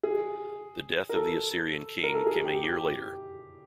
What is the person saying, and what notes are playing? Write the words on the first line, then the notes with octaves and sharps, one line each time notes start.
The death of the Assyrian king came a year later.
G#4
A#4
A4
A#4
A4
G#4
G4
G4